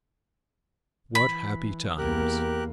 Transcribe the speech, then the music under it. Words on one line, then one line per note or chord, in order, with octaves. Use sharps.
What happy times!
E3 B5
E2 A#3 G4 A#4 F#6